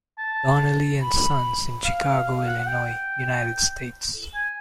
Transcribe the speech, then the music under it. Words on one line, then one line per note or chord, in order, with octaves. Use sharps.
Donnelley and Sons in Chicago, Illinois, United States.
A5
B5
F5
F5
F5
F#5
F#5
G5
G#5